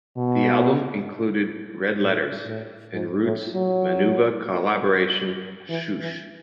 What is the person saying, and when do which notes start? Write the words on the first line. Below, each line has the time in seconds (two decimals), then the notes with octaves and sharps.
The album included "Red Letters" and Roots Manuva collaboration, "Shhhoosh".
0.17 B2
2.01 A2
2.47 A2
2.93 G#2
3.24 A2
3.54 F#3
5.69 E3
6.00 E3